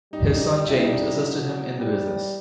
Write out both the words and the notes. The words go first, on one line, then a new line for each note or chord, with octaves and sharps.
His son James assisted him in the business.
G3 D#4
D#4
D4
G3 E4
D#4
D4
D#4
F#3
G3